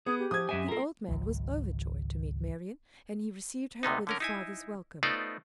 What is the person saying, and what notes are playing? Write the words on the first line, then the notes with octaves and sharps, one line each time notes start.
The old man was overjoyed to meet Marian, and he received her with a father's welcome.
B3 G#4 D#6
G4
F3 D#6 G#6
F#2 D#5 E5 G#5
A#3 F4 A4 A#4
G#1 C#2 F#3
D2 C3 B3 D#4
D3 C#4 A#4
D#4 E4 G#5
A3 B3 D#4 F4 C5 D5